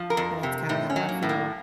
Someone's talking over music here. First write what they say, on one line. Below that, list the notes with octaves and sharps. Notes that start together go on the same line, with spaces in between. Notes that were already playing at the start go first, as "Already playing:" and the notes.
and that's kinda how I feel,
Already playing: F3
A#4
F2
C3
A2 D#4
C#4
F#3
A#3
A2
A#3